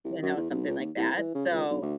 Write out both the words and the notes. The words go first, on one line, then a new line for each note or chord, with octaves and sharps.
you know, something like that, so,
C2
F#2
E2
B1
C#2
D#2
C2
E3
C#3
C#2
B1
D2